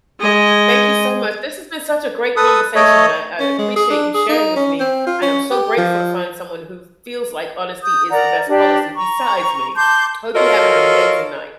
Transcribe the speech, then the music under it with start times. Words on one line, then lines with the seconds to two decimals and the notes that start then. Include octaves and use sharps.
Thank you so much. This has been such a great conversation, and I I appreciate you sharing with me, and I'm so grateful to find someone who feels like honesty is the best policy besides me. Hope you have an amazing night.
0.20 G#3 D#5
2.36 A4 B4 D#6
2.75 A3 A4 C#5 D#5
3.39 C#4
3.59 G#3
3.76 G#4
3.90 D4
4.15 G#4
4.29 D#4
4.56 C#4
4.80 C4
5.07 F4
5.22 C#4
5.51 G4
5.77 F3
7.82 D#6 G6
8.11 A#4 D5 F#5 A#5
8.48 D4 G4 D5
8.97 A#5 C#6
9.75 A5 C6 D6 G6
10.35 F4 F#4 A4 A#4 C#5 D#5